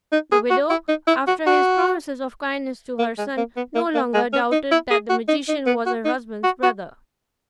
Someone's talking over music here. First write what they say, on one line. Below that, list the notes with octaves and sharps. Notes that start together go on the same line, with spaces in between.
The widow, after his promises of kindness to her son, no longer doubted that the magician was her husband's brother.
D#4
G#4
F#4
E4
D#4
E4
F#4
F#4
A#3
G#3
A#3
B3
A#3
A#3
G#3
C#4
D#4
E4
G#4
F#4
D#4
D#4
B3
F#4
D#4
F#4
F#4